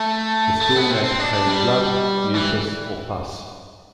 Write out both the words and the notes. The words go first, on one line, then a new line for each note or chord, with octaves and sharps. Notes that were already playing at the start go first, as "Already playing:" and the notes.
The stool may contain blood, mucus, or pus.
Already playing: A3
A3
B3
C4
C4
D4
D4
G3
E3